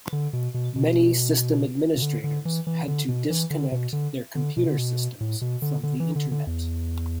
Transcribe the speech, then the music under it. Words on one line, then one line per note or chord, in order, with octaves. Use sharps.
Many system administrators had to disconnect their computer systems from the Internet.
D3
B2
B2
B2
B2
D3
D3
E3
E3
D3
B2
E3
D3
B2
D3
D3
B2
D3
B2
A2
B2
D3
D3
E3
D3
D3
E2